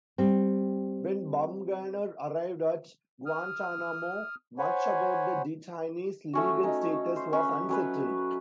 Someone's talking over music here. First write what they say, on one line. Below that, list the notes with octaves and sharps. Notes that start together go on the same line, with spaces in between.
When Bumgarner arrived at Guantanamo, much about the detainees' legal status was unsettled.
G3 C4
D#6 F6
C5 C#5 F#5 G#5 B5
A3 C#4 F#4
C#4 D#4
C5
C#4 B4
F#3 C#4 B4